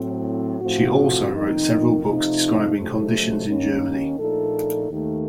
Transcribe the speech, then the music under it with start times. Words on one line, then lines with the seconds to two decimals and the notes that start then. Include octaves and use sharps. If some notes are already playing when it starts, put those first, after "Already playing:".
She also wrote several books describing conditions in Germany.
Already playing: A2 F#3 C4
0.61 A2 F3 A3 C4 F#4
1.33 F2 D#3 A#3 D#4
2.04 C3 F3 A3 D#4
2.76 F#1 F2 C3 F#3 A3
3.48 D#2 D#3 A#3 C#4
4.19 A#1 A#2 A3 D#4 A4
4.90 D#2 D#3 A3